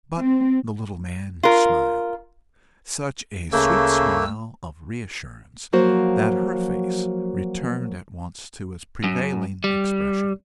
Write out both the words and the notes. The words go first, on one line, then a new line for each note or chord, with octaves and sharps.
But the little man smiled--such a sweet smile of re-assurance, that her face returned at once to its prevailing expression of content.
C4
F4 A#4
D2 C#3 A3 A#3 E6
F3 F#3 A#3 F#4 C5
F#2
G3